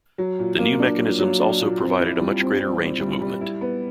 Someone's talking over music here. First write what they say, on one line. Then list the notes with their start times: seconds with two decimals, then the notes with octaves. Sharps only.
The new mechanisms also provided a much greater range of movement.
0.18 F#3
0.39 A#2
0.59 A#3
0.79 D4
0.99 F#3
1.19 F#3
1.40 D4
1.60 A#2
1.80 C4
2.00 E4
2.20 G3
2.41 C4
2.60 C4
2.81 C4
3.01 G3
3.21 G3
3.41 E4
3.61 B3